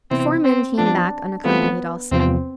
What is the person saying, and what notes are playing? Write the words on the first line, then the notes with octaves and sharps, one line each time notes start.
The four men came back unaccompanied also.
C3 E3 B3 C4 E4
C4
F3 B3 D4 F4
E3 A3 B3 C4 F4 A4
E2 C3 F3 B3 C4 F4